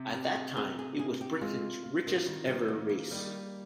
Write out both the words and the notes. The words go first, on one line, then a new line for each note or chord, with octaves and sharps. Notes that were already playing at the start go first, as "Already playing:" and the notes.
At that time, it was Britain's richest ever race.
Already playing: C3
C3 G4
G#4
C3 G#4
G#4
C3 G#4
G4
G#3 F4
F4
D#3
F3
D#3 G3
G3
G#3 A#3
C#3
D#3 G3